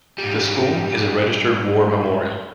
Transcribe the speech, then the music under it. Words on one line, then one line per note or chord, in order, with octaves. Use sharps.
The school is a registered war memorial.
G#2 G3